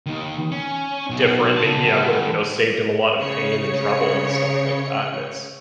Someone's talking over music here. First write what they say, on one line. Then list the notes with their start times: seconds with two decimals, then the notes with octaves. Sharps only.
"different." Maybe I would've, you know, saved him a lot of pain and trouble and stuff like that, and it's
0.06 D#2 D#3
0.52 C#4
1.10 B1
1.57 C#3 A5
1.81 D3 G3
3.18 C#3 C#5 C#7